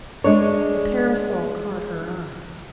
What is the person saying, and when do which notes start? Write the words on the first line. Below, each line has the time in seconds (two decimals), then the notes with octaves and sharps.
The parasol caught her eye.
0.24 G#3 D4 C#5